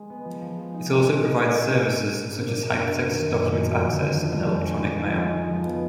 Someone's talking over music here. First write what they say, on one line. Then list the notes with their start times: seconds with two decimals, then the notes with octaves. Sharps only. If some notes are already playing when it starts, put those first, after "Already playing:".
It also provides services such as hypertext document access and electronic mail.
Already playing: G#3
0.10 B3
0.25 F3
0.41 F3
0.57 G#3
0.74 D#4
0.89 G#3
1.05 A#2
1.21 D#4
1.36 A#2
1.52 G#3
1.68 D4
1.85 G#2
2.01 D4
2.16 G#2
2.32 A#3
2.48 D4
2.63 F#2
2.79 A#3
2.96 A#3
3.11 D#3
3.27 F#2
3.43 D#3
3.60 F2
3.75 F2
3.91 D3
4.07 D3
4.23 F2
4.39 F2
4.54 G#3
4.70 G#3
4.86 F3
5.02 D#4
5.17 G#3
5.34 D#4
5.50 F3
5.65 B3